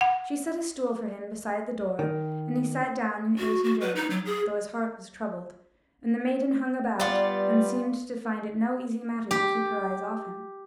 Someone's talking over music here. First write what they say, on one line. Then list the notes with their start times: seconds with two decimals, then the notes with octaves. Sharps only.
She set a stool for him beside the door and he sat down and ate and drank, though his heart was troubled; and the maiden hung about, and seemed to find it no easy matter to keep her eyes off him.
0.01 F#5
1.99 D#3
3.39 F#4
3.64 F#4
3.81 B4
3.96 D#4
4.10 F#3
4.26 G#4
7.00 G3 B3 F4 D5
9.31 G4